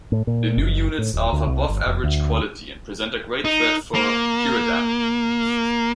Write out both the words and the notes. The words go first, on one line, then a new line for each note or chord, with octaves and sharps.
The new units are of above-average quality and present a great threat for Heradan.
A2
A#2
F#1
A2
D1
D2
C2
G1
F1
D2
D#4
A#3